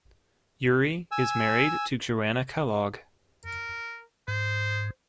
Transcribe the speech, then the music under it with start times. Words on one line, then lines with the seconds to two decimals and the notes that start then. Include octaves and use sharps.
Uhry is married to Joanna Kellogg.
1.12 G#5 E6
3.46 A#4
4.28 G#2 C5